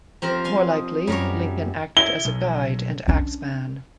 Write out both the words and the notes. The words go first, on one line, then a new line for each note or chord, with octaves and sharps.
More likely Lincoln acted as a guide and axeman.
F3 C4 F4 G4 A#4
F5 G#5 C6
D#5
F#2 G3 A#4 C#5
E4 G7
B1
C#4 D4